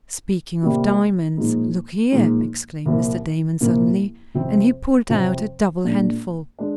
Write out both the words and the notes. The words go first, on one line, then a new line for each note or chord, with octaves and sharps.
"Speaking of diamonds, look here!" exclaimed Mr. Damon, suddenly, and he pulled out a double handful.
C3 G3 A#3 F4
A#2 F3 G#3 D#4
A#2 F3 G#3 D#4
C2 A#2 F3 A#3
C2 A#2 F3 A#3
F2 C3 F3 C4
F2 C3 F3 C4
A#2 G#3 D4
G#3 D4